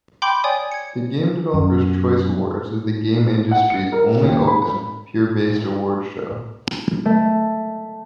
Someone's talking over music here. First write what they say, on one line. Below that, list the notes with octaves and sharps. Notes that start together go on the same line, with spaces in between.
The Game Developers Choice Awards is the game industry's only open, peer-based awards show.
G5 B5 C6 D6 G6
C#5 D5 G5 G#5 D#6
G#6 C#7
F#2
F#5
C#7
A#4
D#2
B5
A3